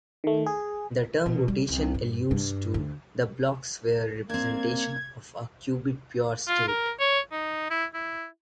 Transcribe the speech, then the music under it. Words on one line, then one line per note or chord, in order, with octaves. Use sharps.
The term "rotation" alludes to the Bloch sphere representation of a qubit pure state.
D#3 A3
G#4
B2
G3
C2
G2
G2
D2
A#3 C4 D4 G#6
F4
A#4
C#5
D#4
E4
E4